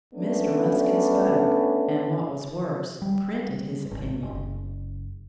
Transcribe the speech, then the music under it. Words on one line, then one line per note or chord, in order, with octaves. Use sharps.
Mr. Ruskin spoke, and what was worse, printed his opinion.
A3 B3 C#4 D4
G3
G#1
F#1